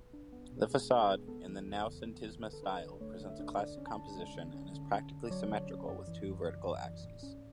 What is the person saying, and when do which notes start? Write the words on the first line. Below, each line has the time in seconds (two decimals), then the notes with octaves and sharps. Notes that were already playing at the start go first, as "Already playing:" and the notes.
The facade, in the Noucentisme style, presents a classic composition and is practically symmetrical with two vertical axis.
Already playing: B4
0.13 D4
0.32 B3
0.52 B2
0.70 G#3 G#4
0.90 D4
1.00 G#4
1.09 B3
1.28 B3 A4
1.47 E3
1.66 E2
1.86 C#3
2.05 B3
2.24 E3
2.43 D3 B4
2.53 A4
2.63 D4 B4
2.82 D3
3.00 A3 C#5
3.20 D3
3.29 E5
3.39 D4
3.58 D3 D5
3.78 C#4
3.87 A5
3.96 D3
4.16 G#3
4.35 D3
4.54 C#4
4.74 D3
4.93 C#4
5.11 D3
5.26 D5
5.30 F#3 C#5
5.50 D3
5.69 C#4
5.88 F#2 D5
6.07 E3
6.27 F#2
6.46 C#3 D5
6.65 F#2
6.84 E3
7.03 A2
7.23 C#4